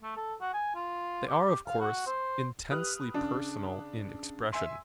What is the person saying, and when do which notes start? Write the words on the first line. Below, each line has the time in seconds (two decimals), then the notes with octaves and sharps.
They are, of course, intensely personal in expression.
0.03 A3
0.17 A4
0.41 F#4
0.53 G#5
0.75 F4
1.28 G4
1.68 F5
1.80 F#4
2.06 C5
2.71 G4 B4 D#6 F6 F#6
3.14 C#3 D4
4.53 E5 G#5 C6